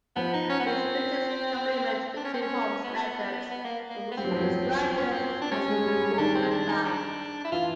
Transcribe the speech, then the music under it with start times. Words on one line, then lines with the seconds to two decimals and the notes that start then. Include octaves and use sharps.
His greatest compliment to Holmes' methods was to describe them as "workmanlike".
0.16 F3 B3
0.33 D#4
0.50 C#4
0.60 B3
0.67 C4
2.17 D4
2.25 C#4
2.34 C4
2.42 C#4
2.84 B3
3.51 B3
3.64 A#3
3.90 A#3
4.12 B3
4.18 G3 C4
4.24 F#3
4.32 F3
4.39 F#3
4.84 C4
4.98 C#4
5.11 C4
5.42 D4
5.51 G3 C#4
5.68 G#3
5.85 G3
6.02 G3
6.14 C#4
6.18 D#3 D4
6.35 C4
6.51 D4
6.68 D#4
6.85 D4
7.45 E4
7.52 E3 F4